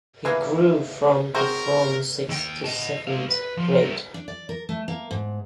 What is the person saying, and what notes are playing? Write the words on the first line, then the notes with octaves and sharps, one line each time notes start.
He grew from to from sixth to seventh grade.
E3 G#3 A#3 B4 E5
C4 F#4 G#4 A#4 C5 A#5
D#2 G5
D#5 A5
G#3 F5
B4
F3
G3 A#4
D4
D5
A#4
A3
A#3
G#2